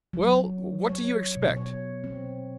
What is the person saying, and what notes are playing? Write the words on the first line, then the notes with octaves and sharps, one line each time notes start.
'Well, what do you expect?
F#3
C#5
B2
C#5
C4